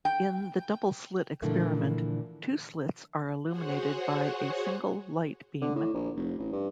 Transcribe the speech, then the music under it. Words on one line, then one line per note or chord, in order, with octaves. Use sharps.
In the double-slit experiment, the two slits are illuminated by a single light beam.
G5
A#2 D3 E3 F3 A3
F#4 G#4 C5 C#5 F#5
D3
A2
A#1
F1
A1
G2